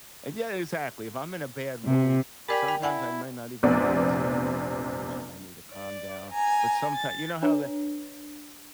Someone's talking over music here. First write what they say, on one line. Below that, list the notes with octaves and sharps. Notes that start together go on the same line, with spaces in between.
And, yeah, exactly, if I'm in a bad mood, sometimes I may not even wanna listen to music, you know what I'm saying? I need to calm down, but sometime you know how the
C3
G4 A#4 D5 G5 G#5 B5
G5
E4 D5 F#5 G#5
F1 A#1 C3 B3 D5
D5
G#5 A#5
A6
D4 B4 C#5 A#5